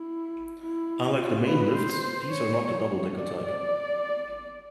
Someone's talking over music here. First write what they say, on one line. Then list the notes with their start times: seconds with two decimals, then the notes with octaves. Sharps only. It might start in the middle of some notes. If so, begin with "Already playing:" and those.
Unlike the main lifts, these are not the double-decker type.
Already playing: E4
0.62 E4
1.18 F4
1.47 B4
1.76 C5
2.32 C#5
3.17 D5
3.46 D5